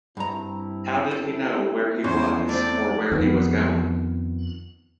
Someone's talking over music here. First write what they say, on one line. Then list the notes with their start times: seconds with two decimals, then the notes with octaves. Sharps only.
How did he know where he was or where he was going?
0.17 G2 C4 E4 A#5
1.11 A4
2.04 E2 C#4 C5
2.49 A3 C4 D5
3.12 F2 D#3 B3